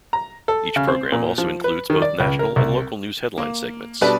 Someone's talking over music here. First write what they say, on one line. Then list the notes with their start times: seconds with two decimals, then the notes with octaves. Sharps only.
Each program also includes both national and local news headline segments.
0.13 A#5
0.48 A4
0.76 C#3
0.88 C4
1.12 A#2
1.38 F3
1.64 B4
1.90 D#3
2.02 D5
2.20 C#2
2.39 A#4
2.56 C2
3.38 A#3
4.01 B2 G3 D4 B4